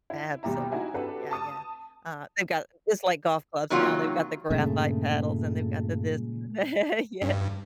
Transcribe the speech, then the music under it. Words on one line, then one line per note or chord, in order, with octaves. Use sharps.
Absolutely, yeah, yeah. Uh, they've got just like golf clubs now, they've got the graphite paddles, and they've got the this, and the yeah, yeah.
E4
D#2 B2 G3 G4 E5 A#5
D#4 E4 F#4 E5 G#5
C4 D4 F#4 G4 A4 B4
A5 D#6 A6
C3 D#3 F#3 A#3 F4
G2 A#2 C#3 G#3 A3
G2